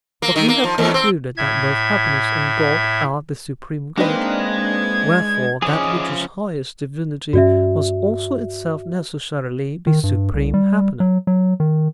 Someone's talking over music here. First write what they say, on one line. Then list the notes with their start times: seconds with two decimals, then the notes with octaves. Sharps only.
But we have concluded that both happiness and God are the supreme good; wherefore that which is highest Divinity must also itself necessarily be supreme happiness.'
0.22 A#3
0.36 D#3
0.48 A#3
0.64 F3
0.78 E2
0.94 C4
1.37 A2 E5 G#6
3.98 G#3 A#3 C4 D4 D#4 A#4 B4
4.40 G#6
5.62 F3 C#4 G#4 D#5 D6
7.33 G2 C#4 F#4 D5 E5
9.87 D#3
10.03 G2
10.33 C2
10.54 G3
11.00 F#3
11.27 F#3
11.60 D#3